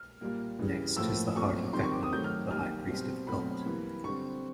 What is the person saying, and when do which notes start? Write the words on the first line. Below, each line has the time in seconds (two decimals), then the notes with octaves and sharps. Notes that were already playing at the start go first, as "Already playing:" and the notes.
Next is the Heart of Vecna, the high priest of the cult.
Already playing: F6
0.21 A#2 G3 A#3
0.59 C#3 E3 G3
0.97 A2 F3 A#3 E6
1.35 A#2 F#3 A3 C4 C#6
1.73 D#3 G3 C4 C6
1.83 C#6
1.92 D6
2.03 D#6
2.12 D#3 F#3 A3 G6
2.24 F6
2.51 D#3 G3 A#3 F6
2.89 B2 G3 C4
3.27 B2 F#3 A3 C4 B5
3.65 E3 G3 A#3
4.04 D3 G3 C4 C#6